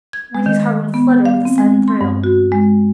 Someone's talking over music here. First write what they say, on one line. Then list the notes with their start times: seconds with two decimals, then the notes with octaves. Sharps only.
Wendy's heart went flutter with a sudden thrill.
0.13 G#6
0.35 G#3
0.46 D#3
0.94 B3
1.25 F5
1.45 C4
1.58 G#3
1.88 C6
2.01 G2
2.24 F#4
2.52 G#3